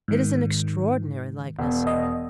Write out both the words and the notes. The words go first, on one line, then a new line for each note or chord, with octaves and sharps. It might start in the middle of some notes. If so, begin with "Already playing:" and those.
It is an extraordinary likeness.
G#2 D#3
E1
D#5